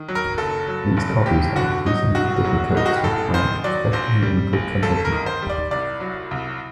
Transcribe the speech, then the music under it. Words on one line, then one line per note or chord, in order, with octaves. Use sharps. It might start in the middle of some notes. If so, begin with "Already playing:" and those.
These copies are increasingly difficult to find, especially in good condition.
Already playing: D#3
F#3
A#4
F#1 A4
F#3
F#1
G1 G4
D3 F#4
F#3 D#4
C2 F#4
F#3
C2 D#4
F#4
G4
A1 A4
D#3 C5
F#3 D5
A#1 C5
G3
A#1
G1 A4
A#4
D#3
C5
G3
D5
C2 D5
F#3
C2